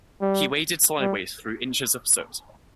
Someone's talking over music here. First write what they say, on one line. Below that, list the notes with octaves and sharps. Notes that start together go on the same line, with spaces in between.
He waded sideways through inches of soot.
G3
G3